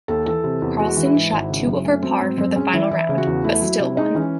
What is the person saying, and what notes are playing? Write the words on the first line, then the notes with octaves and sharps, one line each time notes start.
Karlsson shot two-over-par for the final round, but still won.
D#2 A4
E3 A4
C3
E2
G#3 F#4
E3
E4
G#2
G#1
C#3
F#2
A3 C#4
F#3 C4
G#2 C4
F#2 C4
G#3 C#4
E3 E4
E3 E4
C#3
F#4
E2
A3 E4
F#3
C3
G#3 D#4
E3 C#4